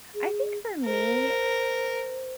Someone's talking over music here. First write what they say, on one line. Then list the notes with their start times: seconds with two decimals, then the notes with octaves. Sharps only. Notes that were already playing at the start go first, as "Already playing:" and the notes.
I think for me,
0.14 G#4
0.85 A#4 C5